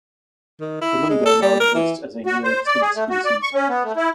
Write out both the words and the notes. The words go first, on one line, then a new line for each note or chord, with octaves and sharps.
The Lungdo now exist as a near-extinct species.
D#3
E4
G#3
A4
G3
A#4
E3
F#4
C5
D5
G#4
A3
F#4
D5
C#6
C#4
B3
A3
E4